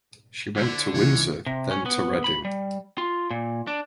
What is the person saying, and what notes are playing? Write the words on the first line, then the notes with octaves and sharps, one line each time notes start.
She went to Windsor then to Reading.
D3 E4
C#2 E3 C#5
C3
C#4
B3
B5
G3
F4
A#2
D4